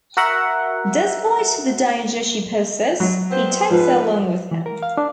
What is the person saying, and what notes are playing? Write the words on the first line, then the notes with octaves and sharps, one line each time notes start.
Despite the danger she poses, he takes her along with him.
F#4 A#4 E5 F#5
F#3
B3 C4 C5
G#2 F3 B4
E3
A#4
F5
D4